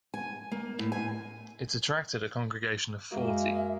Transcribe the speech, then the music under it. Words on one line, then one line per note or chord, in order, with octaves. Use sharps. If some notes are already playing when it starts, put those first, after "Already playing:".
It attracted a congregation of forty.
G#5
A#3
A2
G#5
F#2 G#3 A#3 F#4 E5